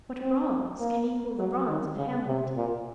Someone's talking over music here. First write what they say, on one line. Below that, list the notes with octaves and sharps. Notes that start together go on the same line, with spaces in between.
What bronze can equal the bronze of "Hamlet"?
C4
A#3
F#3
D#3
C#3
C3
A#2